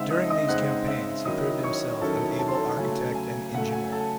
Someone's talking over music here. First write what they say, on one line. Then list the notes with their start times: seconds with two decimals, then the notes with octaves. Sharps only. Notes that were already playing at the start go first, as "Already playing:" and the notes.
During these campaigns he proved himself an able architect and engineer.
Already playing: C#3 G#3 C4 D#4 E5 F#5 E6
0.10 D#5 D#6
0.30 D#5 D#6
0.49 C#3 G#3 C4 D#4 F#5 F#6
0.87 E5 E6
1.25 D#3 F#3 C#4 E4 D#5 D#6
1.63 C#5 C#6
2.02 D#3 F#3 C#4 E4 A4 A5
2.39 A5
2.48 C6
2.55 A4 A5
2.77 C#3 F#3 A3 G#5
3.15 G#5
3.54 C#3 F#3 A3 F#5
3.73 G#5
3.92 A4 A5